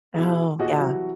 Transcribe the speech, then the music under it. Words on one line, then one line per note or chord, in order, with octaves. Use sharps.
Oh, yeah.
B2 E4 G#4
D#2 A#2 F#4 G#4 D#5
C2 E3 F#3 F#4